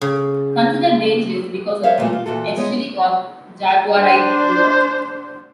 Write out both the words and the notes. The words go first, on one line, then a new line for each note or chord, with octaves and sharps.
Considered dangerous because of the estuary of Jaguaribe River.
C#3
A#4 C5 C#5 E5 F5
A#2 E3 F#3 G3 A3 B3
F4
A#2 E3 F#4 A4
G#3 B3 G#4 C#5
D4 C5